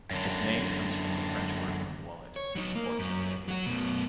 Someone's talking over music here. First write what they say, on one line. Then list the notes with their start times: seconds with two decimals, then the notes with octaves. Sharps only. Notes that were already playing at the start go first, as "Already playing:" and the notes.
Its name comes from the French word for wallet: "portefeuille".
0.11 F#2 D3
2.36 C#5
2.55 F#3 D#4
2.75 A#3
2.99 F#2
3.48 F#3 F#4
3.66 F#2 B2